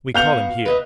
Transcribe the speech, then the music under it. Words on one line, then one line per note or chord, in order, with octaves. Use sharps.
We call heem here.
B3 F#4 F5 G6 F7
B4 D#5 E5